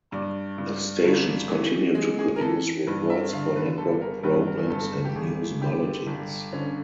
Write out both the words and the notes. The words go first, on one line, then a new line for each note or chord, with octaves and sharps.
The stations continued to produce reports for network programs and news bulletins.
G2 D5
G2
G1
E3
G#3
G#4
A#4
E3 A4
G2 B4
E5
D3 F5
B4
G1 A4
A#4
G2 B4
A#4
G1 A4
G4
G1 G#4
D3 G4
G1
D3 C#4